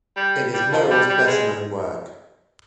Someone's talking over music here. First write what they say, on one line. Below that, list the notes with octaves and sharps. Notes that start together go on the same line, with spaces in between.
It is Merrill's best known work.
G3
G3
F3
G3
G3
G#3